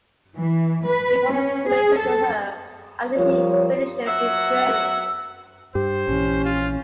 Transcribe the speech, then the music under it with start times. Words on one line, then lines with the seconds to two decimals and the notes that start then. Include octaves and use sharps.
He promises to return to her after he finishes his journey.
0.37 E3
0.87 B4
1.33 C#4
1.69 G#4
1.99 A4
3.16 F3 G3 F4 A#4 C#5
4.07 F#3 E5 F#5 E6
5.75 G2 G4 C5
6.08 A#1 E3 C#4
6.44 F4